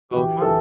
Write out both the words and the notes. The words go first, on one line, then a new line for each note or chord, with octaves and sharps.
Oh, if I'm
F#4
E3 G4
E3 A4